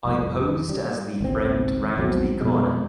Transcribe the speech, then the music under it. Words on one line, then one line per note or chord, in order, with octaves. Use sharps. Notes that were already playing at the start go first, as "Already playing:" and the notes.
I posed as the friend round the corner.
F1 C2 F2
G3
G#1 C#2 C4
A#1 E2 F#3 C4
F2 B2 G#3